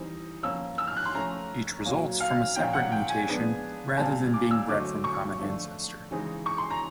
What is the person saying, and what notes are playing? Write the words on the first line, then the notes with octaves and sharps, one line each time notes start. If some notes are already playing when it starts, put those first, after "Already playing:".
Each results from a separate mutation rather than being bred from a common ancestor.
Already playing: E3 G3 C4 D#4
F3 A#3 C#4 E6
E6
F6
F#6
C6
F3 A3 C#4 A#5
A#2 F#3 A#3
F5
A#2 F3 A#3 C#4 G5
F#5
G5
G#5
F3 G#3 B3 D4
A#2 G3 C4 A5
D6
E6
D3 F#3 A3 C4 D6
C#6
F3 A3 D4
C#3 E3 G#3 C4 D#4
C#6
C6
A#5